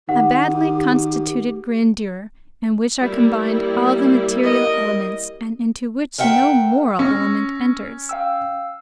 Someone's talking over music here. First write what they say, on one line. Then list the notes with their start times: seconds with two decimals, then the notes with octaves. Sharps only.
A badly constituted grandeur in which are combined all the material elements and into which no moral element enters.
0.09 D#3 G4 F#5
3.00 G3 A#3 E4
4.42 A#4 D#5
6.18 A#4 E5 F#5 G5
6.99 C#4 C#6 E6 A#6
8.09 F5 G5 E6